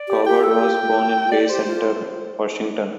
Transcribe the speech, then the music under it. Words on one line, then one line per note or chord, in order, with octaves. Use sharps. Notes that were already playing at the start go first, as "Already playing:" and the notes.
Cowherd was born in Bay Center, Washington.
Already playing: D5
G4
G4 G5
A4
G5
G4
F4
G4 D5
G4 C5
F4